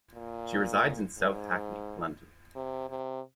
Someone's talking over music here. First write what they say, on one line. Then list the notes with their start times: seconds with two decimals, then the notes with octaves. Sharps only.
She resides in South Hackney, London.
0.14 A#2
1.18 G#2
2.56 C3
2.90 C3